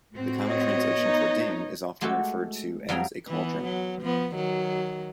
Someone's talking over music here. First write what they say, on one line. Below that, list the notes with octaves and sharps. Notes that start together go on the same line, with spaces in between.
The common translation for ding is often referred to as a cauldron.
A2 C4 F#4
C#5 D#5
B3 D#4
G#3 A3 F#4 G4 A4
F2 F#3 G3 G#4 G5 A#5
E3 B3
F#3
F3 B3
D#3 F#3